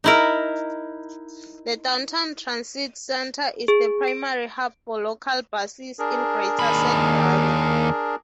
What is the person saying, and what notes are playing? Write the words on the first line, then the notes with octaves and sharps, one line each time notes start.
The Downtown Transit Centre is the primary hub for local buses in Greater Sudbury.
D#4 E4 A#4
G#4
D7
D4 G#4 A#4
D#2 B5